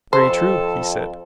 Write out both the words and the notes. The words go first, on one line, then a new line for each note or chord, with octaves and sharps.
Very true, he said.
F2 A4 C5